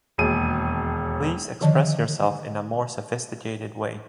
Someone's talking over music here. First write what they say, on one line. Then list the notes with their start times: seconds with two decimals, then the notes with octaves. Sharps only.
Please express yourself in a more sophisticated way.
0.18 E1 D#2 G#4 D#7
1.61 D3 D#3 F3 D#5 A5